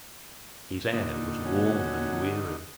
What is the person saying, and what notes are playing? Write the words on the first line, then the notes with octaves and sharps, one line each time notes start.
His air was worn and weary.
A#2 D3 D#4
C#4 F#4